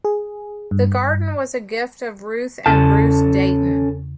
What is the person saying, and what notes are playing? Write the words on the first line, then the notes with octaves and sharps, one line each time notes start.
The garden was a gift of Ruth and Bruce Dayton.
G#4
G2
E2 C#3 C#4 A4 A5